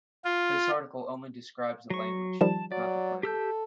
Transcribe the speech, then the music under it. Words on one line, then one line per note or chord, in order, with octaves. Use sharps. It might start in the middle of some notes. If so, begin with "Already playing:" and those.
This article only describes the language, not the planner.
F4
F#3 C#6
D#3 F3 G3 A5
F#3 D5
G4 A4 E6 G6